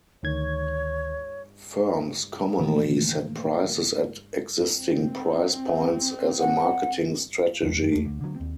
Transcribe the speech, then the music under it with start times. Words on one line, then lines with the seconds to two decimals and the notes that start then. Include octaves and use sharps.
Firms commonly set prices at existing price-points as a marketing strategy.
0.23 D2 D#3 C#5 G#6
2.59 A#2 D#3 E3 A3 A#3
4.74 C4
6.40 F#5
7.63 A1 E2 F3
7.78 F#2
7.92 E2 A3
8.05 D2
8.21 D3 F#3
8.36 D#2 C4